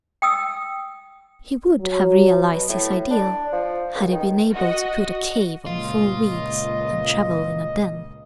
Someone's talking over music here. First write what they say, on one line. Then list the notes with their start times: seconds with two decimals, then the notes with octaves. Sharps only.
He would have realized his ideal, had he been able to put a cave on four wheels and travel in a den.
0.22 G5 D#6 E6
1.81 F#3
2.51 B2
2.69 A2
3.11 D4
3.53 F3
3.94 C#2
4.12 D#3
4.54 F#4 D#5
5.66 C#2 A#2 F4 D#5